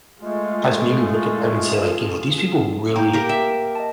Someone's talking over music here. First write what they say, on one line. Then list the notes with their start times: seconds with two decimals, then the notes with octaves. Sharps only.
has made me look at them and say, like, "You know, these people really
0.21 G#3 A3 F4 G#4 A4
2.96 A#3 G5 G6
3.13 G4 A#4
3.29 E5 G5
3.75 D#5 A5